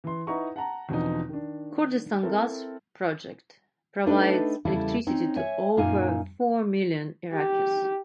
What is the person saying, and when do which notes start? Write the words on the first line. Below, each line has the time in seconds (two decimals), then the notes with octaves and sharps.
Kurdistan Gas project provides electricity to over four million Iraqis.
0.04 E3 C6
0.27 D#4 E4 B4 F#5 A#5 C#6
0.56 F#5 A5 A#5
0.89 E2 B2 D3 F3 C4 D#4
1.29 D#3 D4
2.23 C4 E4 A4 A#4
4.06 A3 D4 D#4 G4 A4 B4
4.65 E2 C#3 G3 E4 A4 A5
5.07 C4 C#4 D#4
5.36 C#5 E5 G#5
5.77 F#2 A#2 D#4 F5 G#5
7.33 G4